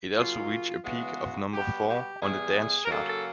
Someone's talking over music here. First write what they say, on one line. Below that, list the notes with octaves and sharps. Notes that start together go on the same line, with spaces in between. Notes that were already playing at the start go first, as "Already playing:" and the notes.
It also reached a peak of number four on the Dance chart.
C#3 F#3 A#3 F4
C#3 E3 G#3 B3 F#4
B2 G3 B3 G4
G4
A2 E3 G3 B3 G#4
A#4
C#3 F#3 A#3 A4
A4